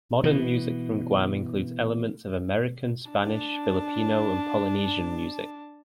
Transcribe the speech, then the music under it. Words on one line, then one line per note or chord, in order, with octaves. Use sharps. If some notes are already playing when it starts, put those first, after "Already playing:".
Modern music from Guam includes elements of American, Spanish, Filipino and Polynesian music.
B2 E3
D4 A5